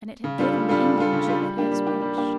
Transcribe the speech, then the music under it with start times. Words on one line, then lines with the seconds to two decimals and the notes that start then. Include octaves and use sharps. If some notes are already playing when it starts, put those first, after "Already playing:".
And it had given the Indian chief his wish.
0.24 C#3
0.39 G3 D4 F4 A4
0.54 C#3
0.69 G3 D4 F4 A4
0.83 C#3
0.98 G3 D4 F4 A4
1.13 C#3
1.28 G3 D4 F4 A4
1.42 G3
1.57 A#3 D4 G4
1.72 G3
1.87 A#3 D4 G4
2.01 G3
2.16 A#3 D4 G4